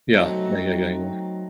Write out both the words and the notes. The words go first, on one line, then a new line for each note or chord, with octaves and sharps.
Yeah. Yeah, yeah, yeah, yeah.
F#3 A3 C4 D#4